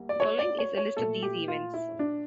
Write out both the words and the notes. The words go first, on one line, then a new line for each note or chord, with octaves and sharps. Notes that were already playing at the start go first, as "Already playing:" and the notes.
Following is a list of these events.
Already playing: D2 G3 A#3
D5
C#5
D5
C#5
C#5
A#2 A3 A4
G4
F4
E4
D4